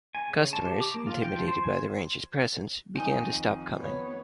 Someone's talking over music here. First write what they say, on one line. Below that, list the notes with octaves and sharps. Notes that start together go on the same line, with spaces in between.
Customers, intimidated by the Rangers' presence, began to stop coming.
G#5
C#3
A5
G4
D6
A#3
F4
G5
F3
C5
G#5
F2 D#3 D#4 D#5 G5 G#5
B3 C#5